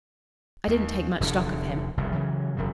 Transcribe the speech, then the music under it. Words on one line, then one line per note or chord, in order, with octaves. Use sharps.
I didn't take much stock of him.
D#2
F1 E2 A2 D3
F1 C2 C#3
C#3 E3 F#3
E1 F#2 C#3